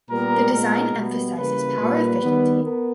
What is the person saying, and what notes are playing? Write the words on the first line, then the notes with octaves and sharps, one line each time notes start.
The design emphasizes power efficiency.
A#2 G3 B3 A#4
A#2 G#3 B3 A#4
B2 G3 B3
C#3 E3 G3 A#3 B4
A#2 G3 A#3
D#3 G3 B3
B3 A#4